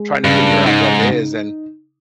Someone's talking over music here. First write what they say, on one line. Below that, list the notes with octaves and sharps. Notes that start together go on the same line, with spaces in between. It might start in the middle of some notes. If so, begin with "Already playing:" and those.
trying to figure out what it is, and,
Already playing: G#3
G2 C#3
G#2 D#4